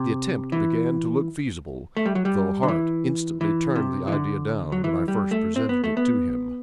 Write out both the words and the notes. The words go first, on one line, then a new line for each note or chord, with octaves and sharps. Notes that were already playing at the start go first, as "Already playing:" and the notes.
The attempt began to look feasible, though Hart instantly turned the idea down when I first presented it to him.
Already playing: C3
E3
A3
G3
F#3
G3
D3
E3
E3
C3
E3
D3
F#3
E3
G3
A3
C4
B3
A3
B3